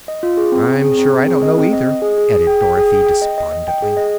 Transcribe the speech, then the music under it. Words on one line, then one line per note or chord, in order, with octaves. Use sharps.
"I'm sure I don't know, either," added Dorothy, despondently.
D#5
F4
G#4
C4
C4
G#4
C4
C4
G#4
D#5
C4
D#5
D#5
G#4
G#4
G#4
G5
G5
G#4
G5
G5
D#5
D#5
D#5
G5
G#4
D#5